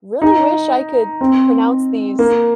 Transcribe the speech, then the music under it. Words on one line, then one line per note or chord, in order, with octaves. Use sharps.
"Really wish I could pronounce these
D#4
C4
A#3